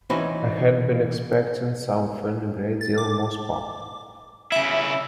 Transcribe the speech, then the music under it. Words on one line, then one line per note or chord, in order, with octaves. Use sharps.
I had been expecting something a great deal more sparkling.
E3 C4 C#4 D#4 F#4 B4
A6
D6
C#3 E4 E5